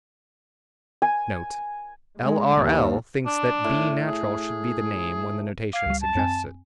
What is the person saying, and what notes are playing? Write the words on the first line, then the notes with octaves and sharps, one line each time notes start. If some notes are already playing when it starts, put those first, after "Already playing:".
NOTE:--L.R.L. thinks that B natural should be the name when the notation suggests it.
G#5
G#3
D#2
D4
A2
G#4
F5 D6 G#6
C#2 G3
A5
F#2 C4 G#5